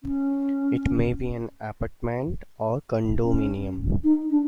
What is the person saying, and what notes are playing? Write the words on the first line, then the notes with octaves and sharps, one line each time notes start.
It may be an apartment or condominium.
C#4
C#4
D#4
D4